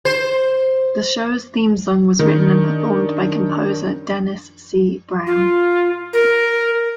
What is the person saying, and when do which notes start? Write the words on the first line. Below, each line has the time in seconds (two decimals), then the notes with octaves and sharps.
The show's theme song was written and performed by composer Dennis C. Brown.
0.05 C5
2.19 D#3 G3 C#4 D4
5.27 F4
6.13 A#4